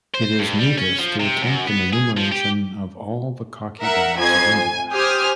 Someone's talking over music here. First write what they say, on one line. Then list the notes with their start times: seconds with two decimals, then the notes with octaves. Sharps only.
It is needless to attempt an enumeration of all the khaki dyes of India.
0.14 C5
0.39 G2
0.59 G3
0.78 C#4
0.98 F3
1.20 C3
1.42 F#2
1.67 B3
1.93 G#4
2.17 F3
2.32 G4
3.79 A#4 E5 F#5
4.18 F2 G#5 G#6 C7
4.52 G#5
4.92 G4 C5 G#5 D#6 F6